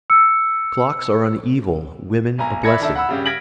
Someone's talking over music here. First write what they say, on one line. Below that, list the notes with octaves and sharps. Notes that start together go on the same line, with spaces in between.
Clocks are an evil, women a blessing.
E6 C#7
B1 G#5 A#5
D5 E5 B5 G#6 A#6 C#7
D#3 D4 A4 E5
F#5 B5 E6
G2 C#3 G4
F6 G#6 A#6 B6 D7 F#7